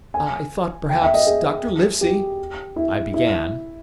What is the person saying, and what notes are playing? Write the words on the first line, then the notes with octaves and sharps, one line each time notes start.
"I thought perhaps Dr. Livesey--" I began.
G#5
G5
E5
D#5
G#4
G4
E4
E4